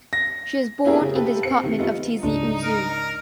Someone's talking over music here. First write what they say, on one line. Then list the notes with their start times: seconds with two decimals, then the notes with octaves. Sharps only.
She was born in the department of Tizi Ouzou.
0.13 A#6
0.85 B3 C#4 E4 G4 G#4 A#4
1.01 C#3
1.15 G4 A4 B4
1.43 C4 C#7
1.63 C3 D#3
1.79 G3 A3 B3 D#4 F4
2.23 C#2 G#2 C#3 D4 D#4
2.63 A#4